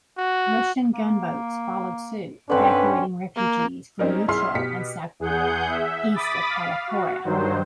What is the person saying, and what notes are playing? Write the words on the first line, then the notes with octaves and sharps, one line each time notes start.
Russian gunboats followed suit, evacuating refugees from Loutro and Sougia, east of Paleochora.
F#4
A#3
G2 D3 C4 C#4 B4
A#3
G3 C4 C#4 D#4 A#4
B1 E4 G#4 C6 F6 C7
B2 G4 B6 C#7
E2 G#4 F#5 G6
E5
B5 D6 D#6 A6 B6
F5
F#4
G2 D#3 F#3 C5